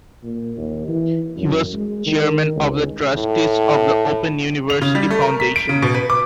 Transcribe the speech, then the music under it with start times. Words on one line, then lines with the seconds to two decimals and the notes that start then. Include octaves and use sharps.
He was chairman of the Trustees of the Open University Foundation.
0.24 A#2
0.57 D#2
0.88 E3
1.37 F#2
1.73 G#3
2.06 D#3
2.56 C#2
3.16 A2
4.70 F7
4.82 C#3
4.95 G3
5.10 A3
5.22 A#4
5.40 B6
5.56 D7
5.69 C#3
5.82 B2
5.94 B4
6.10 D6